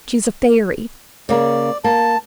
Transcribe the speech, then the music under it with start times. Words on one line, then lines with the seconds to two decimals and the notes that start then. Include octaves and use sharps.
She's a fairy.
1.29 C#3 A#3 D5
1.84 A#3 A5